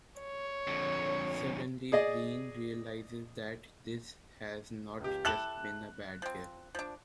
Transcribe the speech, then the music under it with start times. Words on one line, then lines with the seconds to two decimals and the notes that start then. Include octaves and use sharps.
Suddenly Breen realizes that this has not just been a bad year.
0.20 C#5
0.67 F2 D3
1.92 G#4 D5 D#5
5.00 C#2 G4
5.25 E4 G4 A4 F#6 E7 F#7
6.22 F3 C4
6.75 F3 D4